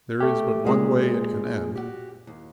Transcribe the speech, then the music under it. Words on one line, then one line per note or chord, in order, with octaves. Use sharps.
There is but one way it can end.
A3 G4
A#2 G#3 G4 G#4
F#4 G4
D#2